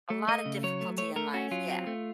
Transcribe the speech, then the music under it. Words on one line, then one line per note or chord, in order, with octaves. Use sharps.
A lot of difficulty in life, yeah,
A3
A3 D#5
C#3
F#3 C#5
A3
A3 C#5
A3 A#4
C#4 F#4
F#3 F4
C4
A3